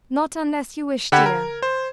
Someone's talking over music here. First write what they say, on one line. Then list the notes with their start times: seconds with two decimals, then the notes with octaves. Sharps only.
Not unless you wish, dear.'
1.12 D3 G4 F#5 B5 G#6
1.26 A#4
1.62 C5